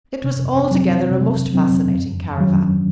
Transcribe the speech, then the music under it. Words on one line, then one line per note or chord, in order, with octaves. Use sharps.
It was altogether a most fascinating caravan.
C3
F#3 C4
C3
F#3 C4
F#2
D#3 F#3 C#4